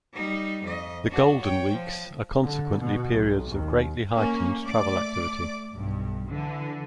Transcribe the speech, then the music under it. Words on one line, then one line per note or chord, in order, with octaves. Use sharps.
The Golden Weeks are consequently periods of greatly heightened travel activity.
G3 D#4
F2 D#5
D4 F#4
C#5 G5
F3
D3
B2
B1
D#2
A#3 C#4
A3 D5 D6
B1 G2
D3 E3